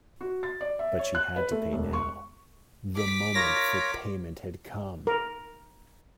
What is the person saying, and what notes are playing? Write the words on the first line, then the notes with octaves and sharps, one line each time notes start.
But she had to pay now; the moment for payment had come.
F#4
A6
D5
E5
C#5
F#6
B4
A3
E1
C#6
D6 B6
F4 A#4 C#5 A#6
A#4